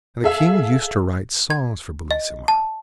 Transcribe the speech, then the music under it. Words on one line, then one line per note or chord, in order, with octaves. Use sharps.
And the King used to write songs for Bellissima.
G#4 A4 E5 F5
G#6
D#5
A5